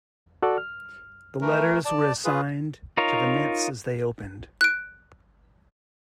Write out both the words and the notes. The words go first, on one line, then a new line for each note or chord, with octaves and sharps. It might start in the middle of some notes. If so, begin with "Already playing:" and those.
The letters were assigned to the mints as they opened.
F#4 A4 D5
F6
E3 A3 A#4
D5 A5
F4 G#4 B4
D#4 F4 A#4 C#5
F#6 D7